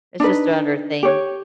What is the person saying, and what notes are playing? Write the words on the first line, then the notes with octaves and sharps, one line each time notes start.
It's just another thing.
D4 D#4 B4
G4 C#5